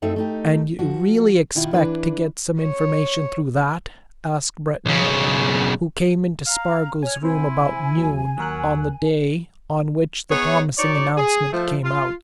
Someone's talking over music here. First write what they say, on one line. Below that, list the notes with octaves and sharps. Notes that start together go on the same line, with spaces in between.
"And you really expect to get some information through that?" asked Breton, who came into Spargo's room about noon on the day on which the promising announcement came out.
F#2 A3 C4 D#4 E5
A3 D#4 G4
F3 F#4
B2 D#3 E4 F4
E3 D4 B4
C#5
B1 C#3
F5 A#5
C#5 G#5 F6
C3 E4 C5 G#5
D#2 F#3
D#2 F#3 A#4 F#6
B3 D#4 G#4 C#5
D#4 F#4 C#5 D5
G#4
F3 A3
F4